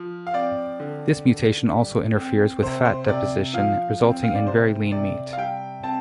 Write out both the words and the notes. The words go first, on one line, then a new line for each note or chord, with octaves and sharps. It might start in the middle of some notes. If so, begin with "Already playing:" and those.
This mutation also interferes with fat deposition, resulting in very lean meat.
Already playing: F3
F5
C4 D5
D3
D3
G3
C4
C3 C5
C5
C3 D5
F3 F5
C4
F5
D5
C3 C5
C3 D5
F5
G3 G5
C4 A5